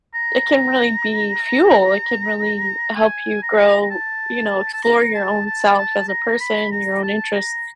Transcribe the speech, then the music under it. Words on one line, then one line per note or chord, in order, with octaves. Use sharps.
It can really be fuel. It can really help you grow, you know, explore your own self as a person, your own interest
A#5
G#5
A#5
A#5
A5
A5
A#5
A5
A5
A5
A#5
B5
A#5
A5
A#5